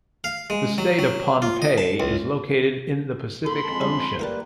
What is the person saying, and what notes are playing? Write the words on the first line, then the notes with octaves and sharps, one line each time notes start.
The state of Pohnpei is located in the Pacific Ocean.
F5
G#3
F#3
F#3
F4
D#5
A5
C#2
A#3 A4 B5 C6
F2 G#3 A5
G3
G3 A#3 E4 A#4 B4 A5